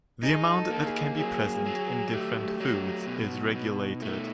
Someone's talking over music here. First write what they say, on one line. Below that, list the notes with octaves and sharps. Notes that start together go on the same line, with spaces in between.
The amount that can be present in different foods is regulated.
D#4 G#4
A4
A#3
G#4
F#3 G#4
F#3
A3 G4
F#3
B2
B2 D#4
A3